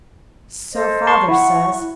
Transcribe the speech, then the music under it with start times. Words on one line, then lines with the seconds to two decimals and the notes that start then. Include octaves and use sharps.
'So father says.
0.73 A4 C5 D#5
1.07 A5 C6 C#6
1.29 E4 F#5 C#6